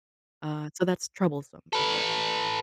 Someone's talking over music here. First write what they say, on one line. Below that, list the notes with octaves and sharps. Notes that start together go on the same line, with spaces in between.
uh, so that's troublesome for sure.
A4 B4